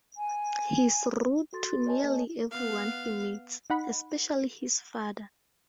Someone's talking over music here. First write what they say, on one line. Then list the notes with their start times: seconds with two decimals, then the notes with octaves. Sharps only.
He's rude to nearly everyone he meets, especially his father.
0.17 G#5
1.53 F#4 A4 C6 A6
1.85 B4 C#5 D#5 G#5 A5
2.03 A#3 A4
2.51 B3 F5
3.70 D#4 F#5 B5